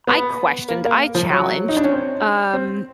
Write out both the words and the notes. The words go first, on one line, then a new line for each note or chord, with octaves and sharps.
I questioned, I challenged. Um,
B3
A#3
A#3
F3
F#3
D#4
D4
C#4
C4
C4